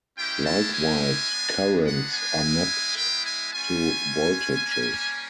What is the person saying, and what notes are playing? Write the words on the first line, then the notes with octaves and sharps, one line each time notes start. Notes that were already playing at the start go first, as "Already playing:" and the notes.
Likewise, currents are mapped to voltages.
G#3 C#4 E4 G4 G5
A5
G#5
G#3 B3 D4
F#5
G#5
G#3 B3 E4
G5
G#5
A3 C#4 F4 G#5
G3 A#3 C#4